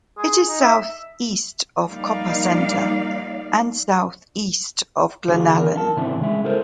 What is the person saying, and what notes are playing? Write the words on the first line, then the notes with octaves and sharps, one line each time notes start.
It is southeast of Copper Center and southeast of Glennallen.
G#4
D#4
E5
F3 G3 A#3 D#4 D5 F5
D3 E3 F4 F#4 G#4
A#4
A#4 E5 A5
A2 C#3 E3 C4 D4 E4
C#3 G#3 E5
E4 A4 A#4 C5